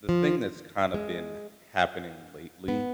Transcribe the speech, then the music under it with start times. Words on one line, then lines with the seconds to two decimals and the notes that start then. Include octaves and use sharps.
the thing that's kinda been happening lately,
0.09 F3
0.94 G#3
2.68 B3